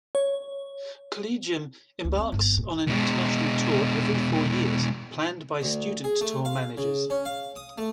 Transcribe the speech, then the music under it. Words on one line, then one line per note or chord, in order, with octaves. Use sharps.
Collegium embarks on an international tour every four years, planned by student tour managers.
C#5
D2
C4
G1
A#2
B2 G#3
D2
G#4
A3
F5
C#3
C#4
F5
D#6
A3